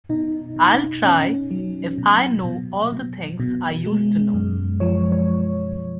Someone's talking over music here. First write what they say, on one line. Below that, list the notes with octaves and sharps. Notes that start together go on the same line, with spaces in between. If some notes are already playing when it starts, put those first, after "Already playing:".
I’ll try if I know all the things I used to know.
B2 D#4
B2
B2 C#4
F#3
B2
B2
B2
B2
G#3
F#2
F3 C#5
C#5